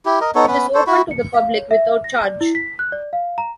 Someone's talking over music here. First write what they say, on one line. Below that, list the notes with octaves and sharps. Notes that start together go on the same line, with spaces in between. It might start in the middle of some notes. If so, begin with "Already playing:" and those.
It is open to the public without charge.
E4 G4
A#4 D#5
B3 D#4 A4 C#5
B3 C#4 B4 B5
A4 C5 C#5
E4 F#4 B5
C#7
F5
C#5
E5
A#6
D5
E4
B6
F#6
D5
F5
A#5